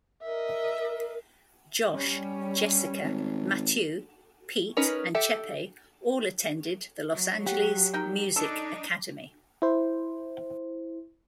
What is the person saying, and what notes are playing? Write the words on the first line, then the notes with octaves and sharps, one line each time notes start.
Josh, Jessica, Matthieu, Pete, and Chepe all attended the Los Angeles Music Academy.
A#4 D#5 E5
G3 C#4
G#1
C#4 D#4 A#4 B4
G4 A4 E5
F#3
G4 F#5
D#4 A#4 G5
D4 D#4 A4
E4 C5